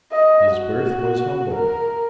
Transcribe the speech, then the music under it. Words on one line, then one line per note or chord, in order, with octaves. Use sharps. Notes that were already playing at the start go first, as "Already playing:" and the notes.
His birth was humble.
D#5
F#4
A#4